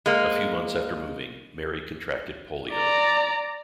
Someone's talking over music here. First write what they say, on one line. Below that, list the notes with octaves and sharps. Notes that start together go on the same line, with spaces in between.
A few months after moving, Mary contracted polio.
G#3 A#3
D5 A#5